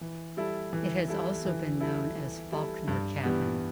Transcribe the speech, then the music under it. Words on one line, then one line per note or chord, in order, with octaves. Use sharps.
It has also been known as Faulkner Cabin.
E3
G3 E4 A4
E3
G3 E4 A4
E3
G3 E4 A4
E3
G3 E4 A4
G2
E3 G3 B3